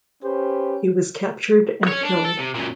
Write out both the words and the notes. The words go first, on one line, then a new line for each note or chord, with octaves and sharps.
He was captured and killed.
C#4 G4 B4 C5
C#4 C#5
D4
A4
C3
F#2 A#2